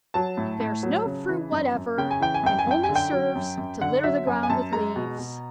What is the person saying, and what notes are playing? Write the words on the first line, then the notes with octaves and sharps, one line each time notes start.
"It bears no fruit whatever, and only serves to litter the ground with leaves."
F#3 A5
A2
A2
F#3
C#3
E3
F#2
F#2
C#3 G5
G#5
E3 G5
G#5
F#2 G5
G#5
F#2 G5
G#5
D3
G5
F#3
F#2
F#2
D3 F#5
F#3 E5
F#2 G#5
G#5
F#2 A5
G#3 A#5
B2
B2